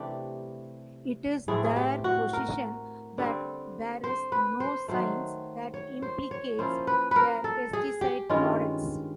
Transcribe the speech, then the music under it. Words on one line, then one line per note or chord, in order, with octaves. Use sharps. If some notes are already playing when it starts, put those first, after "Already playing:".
It is their position that there is no science that implicates their pesticide products.
Already playing: C3 E3 A3 D4 G4
A2 E3 A3 C4 G#4
G#4
G4
F#4
A#4
D3 G3 C4
C5
B4
C5
D#3 F#3 A3 C5
C#5
C5
C#5
F3 A#3 C#4 E4 C5
B4
A#4 B4
A4
G#4
G4
G2 D#3 G#3 C#4 F4